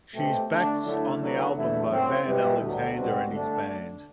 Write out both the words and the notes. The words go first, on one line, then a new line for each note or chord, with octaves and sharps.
She is backed on the album by Van Alexander and his band.
B2 A3 C4 G4
D3 A3 D4
D3 F#3 A3 E4
D3 F#3 B3
E2 D3 A3 E4
F#2 F#3 C4
B2 G3 B3 E4 G4
D2 D3 F#3
C2 B2 G3 C4 F#4
D3 A3 D4